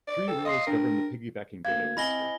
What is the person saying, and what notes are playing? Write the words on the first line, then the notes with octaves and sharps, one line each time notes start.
Three rules govern the piggybacking data transfer.
D5
A4 G5
D#5 F5 C6 C7
D4 A#4 G5
D2 A#3 F5 G#6
C4 E4 D#5 G#5 B5 A#6 G7